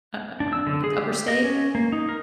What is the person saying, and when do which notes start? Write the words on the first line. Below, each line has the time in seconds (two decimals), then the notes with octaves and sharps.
uh uh, why I woulda get li upper state?
0.40 D4
0.53 E6
0.67 D3
0.84 G#4
0.98 G4
1.28 D#5
1.44 C#4
1.75 A#3
1.93 D#4
2.09 A#4